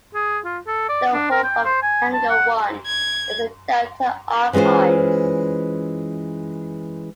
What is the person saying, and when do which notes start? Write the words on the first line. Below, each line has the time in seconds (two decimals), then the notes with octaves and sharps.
The "hub" of Hangar One is the Delta Archives.
0.14 G#4
0.45 F4
0.67 A4
0.89 D5
1.14 D4
1.31 A#4
1.44 G5
1.65 C5
1.83 G#5
2.13 A5
2.30 F#5
2.86 G#6
4.53 E3 G#3 C#4 F4 C5